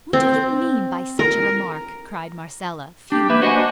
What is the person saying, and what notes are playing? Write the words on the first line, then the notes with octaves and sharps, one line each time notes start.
"What do you mean by such a remark," cried Marcella, fuming.
C4
A#4
D4 G4
A#3 B4 E5
F#4 C5 D#5 G#5
D4